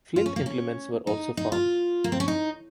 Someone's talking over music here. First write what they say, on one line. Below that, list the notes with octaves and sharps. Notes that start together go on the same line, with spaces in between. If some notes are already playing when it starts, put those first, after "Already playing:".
Flint implements were also found.
F4
C#4
A#3
C#4
D#4
D#4
F4
A#3
C4
C#4
D#4